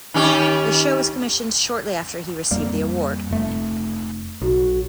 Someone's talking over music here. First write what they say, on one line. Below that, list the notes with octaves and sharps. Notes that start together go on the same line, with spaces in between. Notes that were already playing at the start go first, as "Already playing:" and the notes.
The show was commissioned shortly after he received the award.
D#3 C#4 G4
F2 G3 A#3
F1 A3
B1 F#4